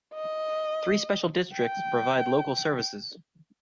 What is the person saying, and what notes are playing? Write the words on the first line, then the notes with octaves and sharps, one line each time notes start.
Three special districts provide local services.
D#5
G5